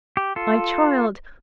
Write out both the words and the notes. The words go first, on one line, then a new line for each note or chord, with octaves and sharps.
My child!
G4
F4 A4